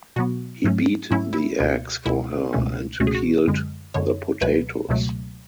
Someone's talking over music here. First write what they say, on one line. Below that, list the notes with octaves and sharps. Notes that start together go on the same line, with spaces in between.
He beat the eggs for her and peeled the potatoes.
B2 F#3 B3 F#4
G#2 F#3 A3 C#4
G#2 F#3 A3 C#4 E4
E4
C#2 B2 G#3
C#2 B2 G#3 E4
C#2 B2 A3 C#4
C#2 B2 A3 C#4 F#4
G#4
F#4
F#2 D3 G#3
F#2 D3 G#3 C#5
C#2 B2 F#3 A3 B4
C#2 B2 F#3 A3